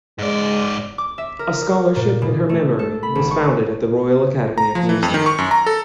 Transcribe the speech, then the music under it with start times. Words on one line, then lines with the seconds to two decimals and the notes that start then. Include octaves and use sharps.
A scholarship in her memory was founded at the Royal Academy of Music.
0.19 G#2 G#3 D5
0.98 D6
1.18 E5
1.39 A#4
1.96 A#2
2.22 B2
2.49 A3
2.79 A4
3.03 B5
3.15 G#1
3.31 C#6
4.58 A#5
4.75 F3
4.89 E3
5.03 F2
5.14 D#3
5.26 C#6
5.38 F#2
5.51 A#5
5.66 A4